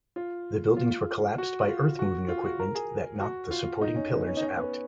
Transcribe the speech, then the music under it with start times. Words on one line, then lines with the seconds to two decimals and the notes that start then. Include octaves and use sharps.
The buildings were collapsed by earthmoving equipment that knocked the supporting pillars out.
0.16 F4
0.77 F4
1.38 F#4
1.68 F4
1.99 F#4
2.28 F4
2.45 F#4
2.59 A#4
2.75 G#4
3.20 F#4
3.51 F4
3.81 D#4
3.96 C#4
4.11 B3
4.22 B3
4.27 C#4
4.37 D#4
4.42 C#4
4.57 B3